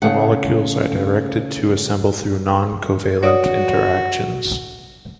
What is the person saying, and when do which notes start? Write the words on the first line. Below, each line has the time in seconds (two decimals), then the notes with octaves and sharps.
The molecules are directed to assemble through noncovalent interactions.
0.02 C#3 A3 B3 F#5
3.23 F#4 C#5 D5 D#6